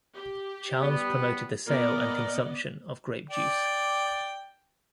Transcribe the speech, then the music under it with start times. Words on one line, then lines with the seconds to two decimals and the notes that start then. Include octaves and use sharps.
Charles promoted the sale and consumption of grape juice.
0.15 G4
0.81 G3 B3
1.67 A#2 B3 A#4 D5 D#5
3.31 D5 G5